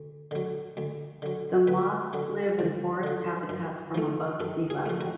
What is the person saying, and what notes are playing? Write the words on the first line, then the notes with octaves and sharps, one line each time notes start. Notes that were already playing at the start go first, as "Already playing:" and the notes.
The moths live in forest habitats from above sea level.
Already playing: D2
D3 F#3
D2
D3 F#3
D2 B4
D3 F#3
D2
D3 F#3
F#2
F3 A3
F#2 A4
G#4
F3 A3
F#4